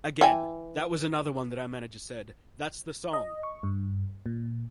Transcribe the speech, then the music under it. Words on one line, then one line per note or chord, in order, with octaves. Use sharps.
Again, that was another one that our manager said, That's the song!
E3 G5 G#5
D#5
C#6
G2
A#2